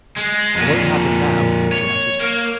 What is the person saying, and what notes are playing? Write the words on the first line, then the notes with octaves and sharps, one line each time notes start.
'I won't have them now,' she answered.
G#3
F2 A#2
C#5
A#3